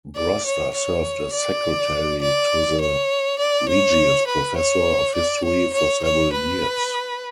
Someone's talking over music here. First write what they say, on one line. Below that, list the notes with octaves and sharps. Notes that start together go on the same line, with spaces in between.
Broster served as secretary to the Regius Professor of History for several years.
D5
C#5
C#5
D5
D5
C#5
D5
C#5
B4
C#5
D5
C#5
C#5
C#5
B4